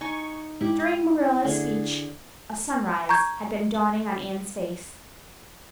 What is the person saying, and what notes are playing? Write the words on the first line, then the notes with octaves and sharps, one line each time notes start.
During Marilla's speech a sunrise had been dawning on Anne's face.
D#4 G#5 C#6
G#2 E4 G4
D3 A3 G#4
A#5 C#6 G6 G#6